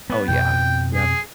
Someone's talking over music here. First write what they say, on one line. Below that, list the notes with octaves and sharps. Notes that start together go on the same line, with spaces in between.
Oh, yeah. Yep,
B3
F2 B2 G5
G#4